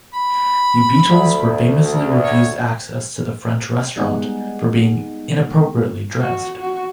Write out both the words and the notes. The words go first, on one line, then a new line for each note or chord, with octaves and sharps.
The Beatles were famously refused access to the French Restaurant for being "inappropriately dressed".
B5
D2
C#5
G3 G#3 B3 D#4 G#4 F#5
F#4
F#4